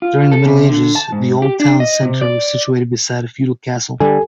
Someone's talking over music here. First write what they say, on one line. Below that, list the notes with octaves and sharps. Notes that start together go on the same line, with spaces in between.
During the Middle Ages the old town centre was situated beside a feudal castle.
F4
A4
C3
D3
A5
G#2
G4
D4
D#5
C3
D5
D3 G3 G4 A4 G#5